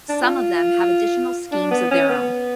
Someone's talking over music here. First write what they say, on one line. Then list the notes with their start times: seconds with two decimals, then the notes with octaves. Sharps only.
Some of them have additional schemes of their own.
0.09 D4
0.22 F4
1.52 D4
1.71 B3
1.91 C#4
2.10 B3